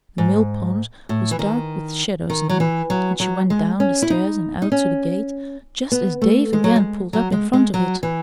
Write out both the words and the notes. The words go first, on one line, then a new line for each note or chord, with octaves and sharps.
The millpond was dark with shadows now, and she went down the stairs and out to the gate just as Dave again pulled up in front of it.
G#2
A2
E3
D#3
D#3
F#3
E3
F#3
F#3
G#3
C#4
E4
D#4
D#4
C#4
B3
A3
G#3
F#3
G#3
F#3
G#3
G#3
F#3
E3